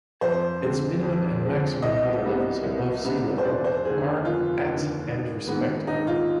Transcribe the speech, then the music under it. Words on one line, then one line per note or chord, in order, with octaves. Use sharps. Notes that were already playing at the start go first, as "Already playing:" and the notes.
Its minimum and maximum water levels above sea level are at and respectively.
F2 C5
D3 G#3 C4
F2
D3 G#3 C4
C2 D#5
C3 G3 B3
C2
C3 G3 B3
C5
F1 D5
C5
D#2 D3 G#4
F1 F4
D#2 D3
G#1
G#2 D#3 G#3 B3
G#1 D#4
F4